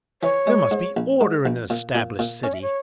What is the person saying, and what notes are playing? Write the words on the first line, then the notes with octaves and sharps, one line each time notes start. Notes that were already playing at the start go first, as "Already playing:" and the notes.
There must be order in an established city.
E3 C#5
G#3
G#2
A#1
G#2
A#1
A#2
A#2
A#2
C#4 C#5
E5
C#5